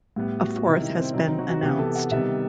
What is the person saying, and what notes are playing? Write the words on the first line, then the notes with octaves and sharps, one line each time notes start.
A fourth has been announced.
A2 G3 B3
F#4
F#4
C3 D#3 G3 E4
D#4
C4
C3 F#3 C4 D#4
D#4
F#4
F#4
C3 E3 B3 G4
A4
F#5
C3 D#3 G3 B3 E5